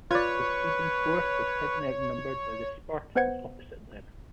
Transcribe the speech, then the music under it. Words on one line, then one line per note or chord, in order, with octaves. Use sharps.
The Theban force was heavily outnumbered by the Spartans opposite them.
F4 B4 C#5 D5
B3 B4 C5 F#5 G#6 C#7